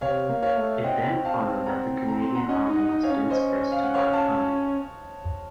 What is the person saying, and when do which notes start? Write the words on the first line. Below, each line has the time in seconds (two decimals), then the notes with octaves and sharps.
It then followed that the Canadian Army must do its best to buy time.
0.01 C3 C#5 F5
0.30 A#3
0.42 C#5 F5
0.57 A3
0.84 C4 D#5 F#5
1.25 F5 A5
1.66 F#5 A#5
2.08 A#5
2.21 C6
2.35 F#5 A#5
2.49 C#4 D#5 F#5
2.69 D#4
2.75 D#5 F#5
2.89 D#4
3.03 C#5 F5
3.10 C#4
3.30 C5 D#5
3.72 F5
3.83 F#5
3.94 C#5 F5
4.13 F5 A5